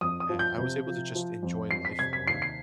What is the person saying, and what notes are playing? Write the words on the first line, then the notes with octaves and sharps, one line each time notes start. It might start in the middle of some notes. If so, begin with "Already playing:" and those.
and I was able to just enjoy life more
F2 D#6
D#6
F3
G6
C3
F3
F3
F2
F2 C7
B6
C3 G#6
B6
D#2 C7
C7